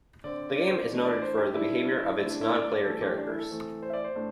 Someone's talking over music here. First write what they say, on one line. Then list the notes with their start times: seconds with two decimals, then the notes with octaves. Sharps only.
The game is noted for the behaviour of its non-player characters.
0.24 D3 C4 D5
0.56 D5
0.67 C5
0.78 D5
0.89 E3 A3 D4
1.05 D5
1.22 C5
1.38 G4
1.54 D3 G3 D4 E4
1.98 E4
2.08 D4
2.20 D3 A3 C4 E4
2.30 D4
2.41 E4
2.53 D5
2.84 E3 A3 D4 A4
3.02 G4
3.18 D4
3.29 E4
3.39 A4
3.51 E3 A3 C4
3.83 C5
3.90 E5
3.93 D5
4.04 C5
4.15 A2 A3 D4